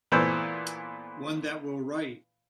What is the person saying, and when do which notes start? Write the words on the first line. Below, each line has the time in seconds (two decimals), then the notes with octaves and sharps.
One that will write.
0.12 A#2 E3 A3 B3 C5 E6